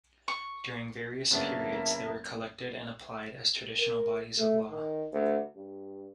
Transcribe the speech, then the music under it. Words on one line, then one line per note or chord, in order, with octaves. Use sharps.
During various periods they were collected and applied as traditional bodies of law.
C#6
F#2 C#3 A#3 B3 D4 E4 A#4 A5
A#4
A3
D#3
D2
G2